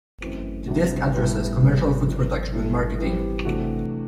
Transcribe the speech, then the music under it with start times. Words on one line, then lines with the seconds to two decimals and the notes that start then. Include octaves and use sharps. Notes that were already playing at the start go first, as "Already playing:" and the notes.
The disc addresses commercial food production and marketing.
0.21 F#2 E3 A3 C4 F#4
0.67 C2 C3 G3 D4 F#4
1.14 A2 G3 B3
1.59 C2 C3 G3 B3
2.06 E2 B2 F#3 C4 E4
2.53 A2 E3 G3 D4 A4
2.99 E3 G3 C4 G4
3.45 C3 E3 A3 D4 F#4